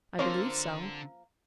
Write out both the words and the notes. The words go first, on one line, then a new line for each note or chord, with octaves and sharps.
"I believe so."
D3 F3 A#3 C4 A#4 C5 C#5